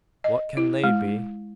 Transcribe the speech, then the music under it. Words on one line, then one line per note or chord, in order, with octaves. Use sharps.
What kin they be?
D#5
E4
G#3